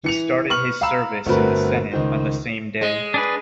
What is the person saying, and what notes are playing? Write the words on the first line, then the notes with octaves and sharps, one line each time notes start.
He started his service in the Senate on the same day.
E3 C#7 F7
B4 C#6 F6 F#7
F5 A#5 B5 E6 E7
G1 A3 C4 F#4 A#4 B4
C#2 D#3 C5
G#3 D#5
D4 G#4 B4